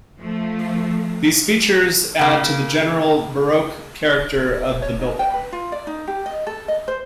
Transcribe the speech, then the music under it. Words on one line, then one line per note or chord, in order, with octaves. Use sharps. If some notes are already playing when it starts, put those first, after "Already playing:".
These features add to the general baroque character of the building.
F3 A3
C#3 A#3
C#5
D#4
G5
B4
F4
D5
D#4
G4
D#5
A4
D#5
C5